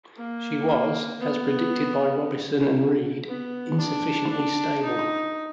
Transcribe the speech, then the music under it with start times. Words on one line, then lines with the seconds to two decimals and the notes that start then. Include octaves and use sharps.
She was, as predicted by Robison and Reed, insufficiently stable.
0.17 A#3
1.21 B3
3.28 B3
3.79 D4
4.31 D4
4.83 D#4